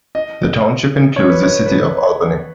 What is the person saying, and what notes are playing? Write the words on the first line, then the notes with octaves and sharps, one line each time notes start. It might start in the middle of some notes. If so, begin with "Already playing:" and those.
The township includes the city of Albany.
D#5
C#5
B4
C#5
B4